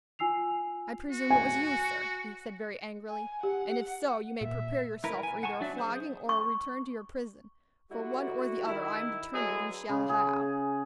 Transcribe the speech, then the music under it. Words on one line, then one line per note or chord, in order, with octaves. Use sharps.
"I presume it was you, sir," he said very angrily, "and if so, you may prepare yourself for either a flogging or a return to your prison, for one or the other I am determined you shall have."
F4 G#5 E6 C7 F7
F#4
G#5
G#5
G4 F#5
A#2 E5
E4 A#4 B4
G#5
F#5 G#5 A5 C#6
F#3 D4 D5 E5
G#4 C5
C#6
D3 G3 E4 F#4
D#3 E4
D3 F#3 G#3 B3 E4 G#4
C#3
G#4